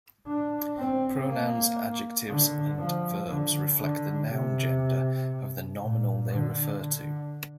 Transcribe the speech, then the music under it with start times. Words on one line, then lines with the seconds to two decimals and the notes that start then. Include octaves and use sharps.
Pronouns, adjectives, and verbs reflect the noun gender of the nominal they refer to.
0.28 D4
0.78 C4
1.28 A#3
2.28 D3
2.79 F3
3.29 D3
3.79 D3
4.30 C3
5.80 A#2
6.30 D3
6.80 D3